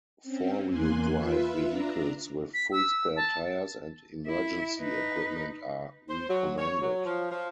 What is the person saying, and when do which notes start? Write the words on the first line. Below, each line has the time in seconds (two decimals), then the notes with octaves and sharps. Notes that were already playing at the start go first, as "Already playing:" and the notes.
Four-wheel drive vehicles with full spare tires and emergency equipment are recommended.
0.23 C4 C#4
0.70 E2 A#3 G#5 C6 F#6
1.14 F4 B4 E5
1.68 D4 A#5
2.54 B6
2.72 E6
3.16 A5
4.27 E4
4.80 D#4 B4
6.09 C5
6.29 F#3
6.57 C#5
6.81 F#3
7.04 F3
7.31 F3